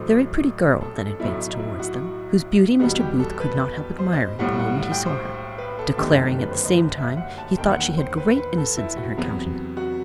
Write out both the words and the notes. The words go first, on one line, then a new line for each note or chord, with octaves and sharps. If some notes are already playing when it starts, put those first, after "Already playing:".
A very pretty girl then advanced towards them, whose beauty Mr. Booth could not help admiring the moment he saw her; declaring, at the same time, he thought she had great innocence in her countenance.
Already playing: A1 A2 F#3 A3 C5 D#5
A4
A4
A4
B1 A2 F#3 A3 D#4 E4
D#4
D#4
E4
F#4
E2 B2 G3 B3 D#4 F#4
G4
A4
B4
C5
D#5
B1 A2 G3 F#5
F#5
F#5
G5
C5
B4
A4
G1 F#2 D#3 A3 D#4 G4
A4
B4
C5
D#5
D#5
E5
F#5
A5
E1 D#2 D#3 G5
F#5
C5
B4
B4
A4
E4
F#4
E2 C3 F#3 B3
F#4